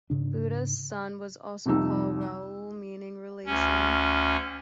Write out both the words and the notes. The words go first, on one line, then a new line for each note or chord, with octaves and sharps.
Buddha's son was also called Rahul, meaning "relation".
G#2 C#3 D4
C2 F2 C3 D#4 E6
D2 C#4